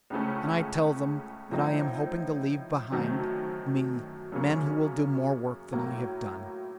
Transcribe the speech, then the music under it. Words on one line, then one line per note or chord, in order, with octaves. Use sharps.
And I tell them that I am hoping to leave behind me men who will do more work than I have done.
C#2 C#3 A3 C#4
A2 F3 C4 D#4
F#2 D#3 F#3 A3 C4
F#2 C#3 F#3 A#3 C#4
A2 F#3 A#3